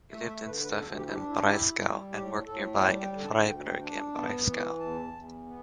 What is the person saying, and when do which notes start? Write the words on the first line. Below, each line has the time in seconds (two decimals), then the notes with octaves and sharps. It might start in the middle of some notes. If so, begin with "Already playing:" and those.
He lived in Staufen im Breisgau and worked nearby in Freiburg im Breisgau.
0.12 A3 E5
0.29 E5
0.46 D3 B4
0.63 B4
0.79 D2 A4
0.97 G4
1.08 E4
1.13 D4 G4
1.29 E4
1.46 E4 G4
1.79 G3
2.13 A2 G4
2.46 A2 A4
2.80 G3 G5
3.02 G5
3.12 D3
3.24 A5
3.46 D2 G5
3.69 G5
3.80 D4
3.91 A5
4.13 B3 A5
4.46 E3
4.80 E2 A5
5.13 E2
5.47 B3